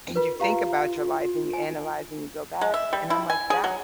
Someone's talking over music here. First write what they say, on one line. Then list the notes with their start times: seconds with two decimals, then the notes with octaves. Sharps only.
and you think about your life and you analyze and you go back, and I'm like, "That
0.16 F4 A#4 B4
0.40 F4 G4 F5 A#5
1.53 G#5
2.61 G#3
2.74 E5
2.93 G3
3.10 E4
3.30 G#5
3.50 G#4
3.64 F#3